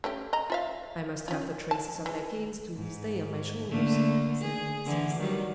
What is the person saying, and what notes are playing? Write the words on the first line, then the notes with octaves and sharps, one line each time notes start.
"I must have the traces of their canes to this day on my shoulders," said Rameses.
A3 C#4 G4
D#5 A#5
F4 E5 F5
C#4 F4
A5
E3 G#3
G#2
D3 A3 A#3
G#4
D3 E3
D#3 F#3 G3